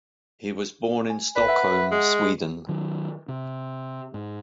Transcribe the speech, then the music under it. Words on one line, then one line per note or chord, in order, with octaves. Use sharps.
He was born in Stockholm, Sweden.
G#5
G#1 B4 D5
E5 F#5
G#3
D#3 F#3
C3
G#2